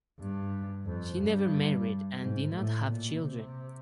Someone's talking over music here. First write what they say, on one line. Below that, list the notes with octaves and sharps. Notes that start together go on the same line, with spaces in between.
She never married and did not have children.
G2
F2
G2
G#2
A2
A#2
C3